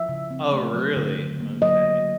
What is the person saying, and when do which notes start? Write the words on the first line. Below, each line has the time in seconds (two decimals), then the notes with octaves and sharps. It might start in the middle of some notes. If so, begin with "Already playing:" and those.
Oh really, okay.
Already playing: F3 E5
0.09 C#3
0.31 C4
0.52 A3
0.74 F#3
0.97 D3
1.18 D3
1.40 A#3
1.62 F#3 D#5
1.85 D3